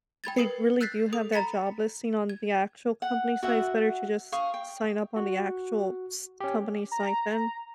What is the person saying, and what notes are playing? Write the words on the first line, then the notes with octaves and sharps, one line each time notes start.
they really do have that job listing on the actual company site, it's better to just sign up on the actual s company site, then.
G5 B5 G#6 A6
A#4 B4 D#6 C7 C#7
E6 F#6 G6 A6 B6 C7
A4 D#6
A#5 B5 A6 B6 C#7
G#6
F#5
F#4 E5 F#5
F5 C#6 D#6
G5
F#4
C#4 G4
A#5